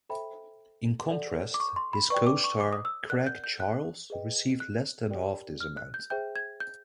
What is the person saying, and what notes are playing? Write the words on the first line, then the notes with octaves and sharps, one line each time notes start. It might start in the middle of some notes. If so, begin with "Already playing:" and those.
In contrast, his co-star Craig Charles received less than half this amount.
A4 C5 E5 G5 B5
A4 D5 F#5
D6
C#6
C6
B5
B4 D5 G5 C#6
D6
C#6
D6
D#6
E6
A#4 D5 F#5 F#6
G6
G6
F#6
G#4 B4 D#5 G5
F#6
G4 A#4 D5 G5
F6
F#6
G6
G#4 C5 E5 G5 G6
G#6
G6